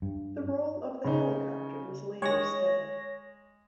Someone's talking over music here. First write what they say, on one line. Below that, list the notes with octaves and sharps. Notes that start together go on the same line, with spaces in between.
The role of the helicopter was later studied.
G2
C#3 D#4
G#3 C#5 C#6 A#6